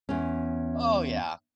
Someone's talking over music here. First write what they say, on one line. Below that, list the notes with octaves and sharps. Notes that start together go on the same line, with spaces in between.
Oh yeah,
E2 C#4